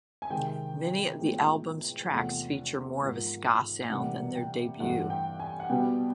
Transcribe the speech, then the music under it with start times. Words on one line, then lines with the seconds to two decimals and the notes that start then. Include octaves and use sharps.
Many of the album's tracks feature more of a ska sound than their debut.
0.22 G#5
0.30 C3 D#3 G#3 C4 G5
1.20 A2 F3 G#3 B3
2.10 E2 C3 F3 A3 C4 F#5
3.01 G#2 F3 A#3
3.90 C3 E3 G3 A#3 F#5
4.35 G5
4.80 G2 E3 A3 F#5
5.10 G5
5.40 G#5
5.60 F#5
5.70 B2 G3 B3 G5